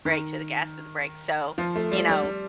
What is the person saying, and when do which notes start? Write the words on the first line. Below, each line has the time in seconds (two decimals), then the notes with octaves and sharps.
brake, to the gas to the brake, so, you know.
0.05 D#3
1.58 F3
1.75 A3
1.92 G3
2.09 G3
2.23 G3